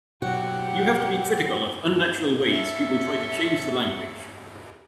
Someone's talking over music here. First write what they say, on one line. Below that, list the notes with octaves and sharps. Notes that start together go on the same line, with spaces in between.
You have to be critical of unnatural ways people try to change the language.
B2 F#3 F#4 G4 F#5
C#4 A4 E5